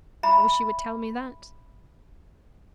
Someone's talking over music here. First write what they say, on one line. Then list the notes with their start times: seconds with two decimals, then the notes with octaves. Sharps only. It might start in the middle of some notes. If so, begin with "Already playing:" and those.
"I wish you would tell me that."
0.23 E5 A#5 B5